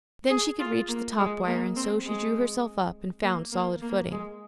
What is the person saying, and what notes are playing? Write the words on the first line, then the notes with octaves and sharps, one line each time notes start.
Then she could reach the top wire, and so she drew herself up and found solid footing.
G#4
F4
A#3
G#3
A#3
C4
G#3
A#3
A#3
A#3
G#3